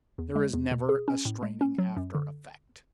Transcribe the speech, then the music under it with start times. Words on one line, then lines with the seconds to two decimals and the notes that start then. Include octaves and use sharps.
There is never a straining after effect.
0.18 E2
0.36 G#3
0.53 E2
0.71 B2
0.89 G#4
1.08 C#4
1.25 A2
1.43 G#3
1.61 C#4
1.78 F#3
1.97 F#2
2.15 D3